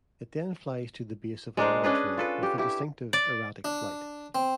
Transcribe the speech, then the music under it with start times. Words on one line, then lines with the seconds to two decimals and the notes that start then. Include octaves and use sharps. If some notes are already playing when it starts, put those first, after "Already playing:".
It then flies to the base of another tree with a distinctive erratic flight.
1.57 G#3 D4 A#4 C5
1.84 C#4 D4 G#4 B4
2.18 F4 A4 B4
2.43 G4
2.58 E4 G4
3.13 D5
3.65 D4
4.35 C4